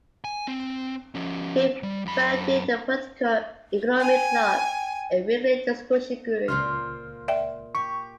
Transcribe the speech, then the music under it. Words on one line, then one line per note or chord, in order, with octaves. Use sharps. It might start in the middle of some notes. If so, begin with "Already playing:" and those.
He founded the Political Economy Club, a weekly discussion group.
G#5
C4
F3 C#4
G3
F#2 B5
G5 G#5
C#2 A#2 F4 C5 F6
D5 E5 G5
G4 C#6